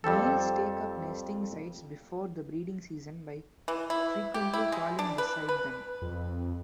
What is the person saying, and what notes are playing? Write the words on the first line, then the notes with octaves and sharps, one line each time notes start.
Males take up nesting sites before the breeding season, by frequently calling beside them.
F2 G3 C4 A4
E3
E4
G4
E4
G#3
D4
B4
B4
F2